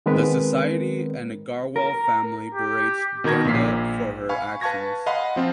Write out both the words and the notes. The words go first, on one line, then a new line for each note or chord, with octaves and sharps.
The society and Agarwal family berates Genda for her actions.
D#3 G#3 B3 C4 A#4 B4
A#4
G4
B2 D#3 A#4 A#5 G#6 A#6
A#1 A#2 B6 C7
F5 G#5 B5 C#6
B4 F5 A5 C#6 G#6 A#6
D#5 F5 F#5 B5 C6
F3 C4 F4